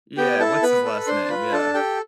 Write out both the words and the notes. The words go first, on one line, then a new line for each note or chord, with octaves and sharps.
yeah, what's his last name? Yeah.
B3 G4 G5
E4 A4 A5
B3 B4 B5
A4
D4 C5 C6
A5
F4 B4 B5
D4 A4 A5
G4 A4 G5